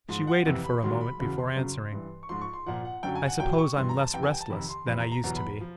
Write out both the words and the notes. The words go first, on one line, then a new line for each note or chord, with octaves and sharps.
She waited for a moment before answering: "I suppose I'm less restless than I used to be."
G#2 F3 C6
F#5
F2 C3 E3
B5
G#2 D#3 F#3 C6
B5
E2 C#3 F#3 B5
C6
F#2 C#3 F#3
G2 E3
C#6
G#2 F3 C6
C#6
C6
A#2 F3 F#5
F#5
F#2 D3 F#3 G5
G#5
F#5
A#2 F#3 G5
C#6
G2 E3 C6
A#5
A5
F2 C3 E3 G5
G#5
G5
A5
F2 C3 D#3 B5
C6
F2 C3 E3 B5
A#5
A#5
E2 B2 F#3 A#5
B5
F3